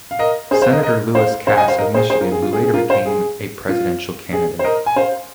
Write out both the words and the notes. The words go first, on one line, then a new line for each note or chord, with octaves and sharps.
Senator Lewis Cass of Michigan who later became a presidential candidate.
F5
A#4 D#5
G#4 C5
C5 F5
A#4 D#5
A#4 D#5
C5 F5
C5 F5
D#5 G#5
C5 F5
A#4 D#5
G#4 C5
G#4 C5
F4 A#4
G#4
F4
G#4
G#4
F4 A#4
C5 F5
G#4
F4
G#4
C5
A#4 D#5
G#5
C5 F5